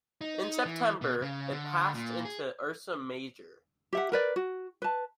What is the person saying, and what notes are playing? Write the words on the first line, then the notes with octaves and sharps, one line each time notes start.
In September it passed into Ursa Major.
D#4
E3
B2
C#3
D3
A#2
G#4
G4 E5 F#5
A#4 B4 D5
F#4
B4 A5